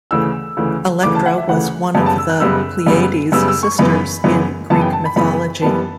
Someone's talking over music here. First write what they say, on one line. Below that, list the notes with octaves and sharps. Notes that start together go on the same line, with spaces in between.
Electra was one of the Pleiades sisters in Greek mythology.
D2 C#3 E3 E6
D2 C#3 E3
D2 C#3 E3 D6
A5
F#5
E5
D2 C#3 E3 F#5
F#2 C#3 G3 B3 A5
A5
E6
F#6
F#2 C#3 G3 B3 E6
F#2 C#3 G3 B3
F#2 C#3 G3 B3 E6
E6
C#6
F#2 C#3 E3 B3 B5
F#2 C#3 E3 B3
F#2 C#3 E3 B3 A5
G5
A5
B5
F#2 C#3 E3 B3 B5
F#2 E3 G3 B3 A5